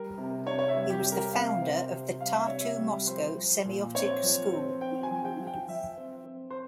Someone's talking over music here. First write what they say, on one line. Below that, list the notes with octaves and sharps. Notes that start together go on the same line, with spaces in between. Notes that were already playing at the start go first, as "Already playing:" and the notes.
He was the founder of the Tartu-Moscow Semiotic School.
Already playing: G3 A#4
C3
C3 C#5
C#5
E5
G3
G4
G3
A#4
C3 F5
C4
C3
G3 F5
E5
C3 C#5
E5
G3
F3 C5
F3
A#2
C4 C#5
F3
C4
C4 G5
G#5
F3
G5
F3
G5
F3 E5
C4
C4
C5